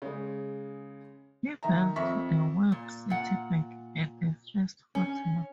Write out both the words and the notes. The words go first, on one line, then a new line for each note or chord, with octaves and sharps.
He built the Webb City Bank and the first hotel.
C#3 G#3
D#3 E5 A#5
F2 E5 C#6 B6
A#2
A#2 F#5
C#4